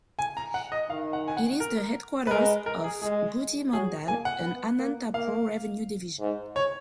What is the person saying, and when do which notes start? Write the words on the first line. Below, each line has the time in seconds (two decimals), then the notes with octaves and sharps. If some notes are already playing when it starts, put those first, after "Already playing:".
It is the headquarters of Gooty mandal in Anantapur revenue division.
0.19 G#5
0.37 A#5
0.54 F#5
0.72 D#5
0.90 D#3 F5
1.13 F#5
1.28 G#5
1.37 F#5
1.60 A#4
2.27 B4
2.31 G#3 A#4
2.66 A#4
2.84 G#4
3.02 G#3 G#4
3.73 F#3 G#4
4.08 A#3 G#5
4.25 F#5
4.43 B3
4.79 A#3
5.14 A#3 F5
6.20 G#2
6.56 C#5